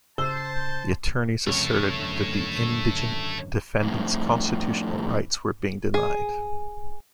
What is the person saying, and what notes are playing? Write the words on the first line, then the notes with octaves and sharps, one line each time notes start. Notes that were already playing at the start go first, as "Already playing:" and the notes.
The attorneys asserted that the indigent defendants' constitutional rights were being denied.
C#3 C5 A5 E6
C2 F2 C#3 A3 C#5
G#1 F#2 D3
F2 A2
G#4